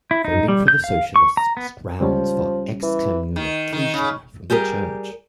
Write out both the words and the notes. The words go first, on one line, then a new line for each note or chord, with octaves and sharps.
Voting for the Socialists was grounds for excommunication from the Church.
E4
D#4
G3
G6
F5
C#6
A#5
B3
C#2 F3 G3 C#4
E3
D#3
D#3
C#3
G3 G4 G#4 A#4